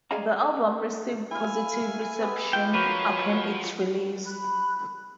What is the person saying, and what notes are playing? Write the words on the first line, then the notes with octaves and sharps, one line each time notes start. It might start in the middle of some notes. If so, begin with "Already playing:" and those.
The album received positive reception upon its release.
G#4 D5 D#5 F5 A#5
E4 F5 G#5
B3 G4 E5
F4 G5
F3 F#4 A#4 B4 C#5
B5 F#6